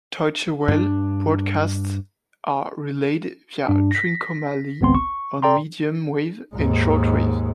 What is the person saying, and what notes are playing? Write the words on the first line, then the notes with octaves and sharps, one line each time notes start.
Deutsche Welle broadcasts are relayed via Trincomalee on medium wave and short wave.
G2 D4
G2 D4
A#6 B6
G#1 C#2 B3 C4 C6
C#6
A4 D5 G5 A#5 C6
D#2 G#2